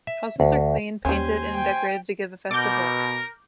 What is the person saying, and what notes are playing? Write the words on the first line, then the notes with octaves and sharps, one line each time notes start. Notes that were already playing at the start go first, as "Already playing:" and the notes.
Houses are cleaned, painted and decorated to give a festive look.
E5
D2
D#2 G3 C#4 C5 G#5
G5
B2 A#4 D6 G6